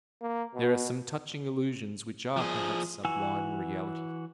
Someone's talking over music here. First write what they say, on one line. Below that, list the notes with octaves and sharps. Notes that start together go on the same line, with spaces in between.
There are some touching illusions which are, perhaps, sublime realities.
A#3
B2
F3 G#4
E3 F#4 G#5 E6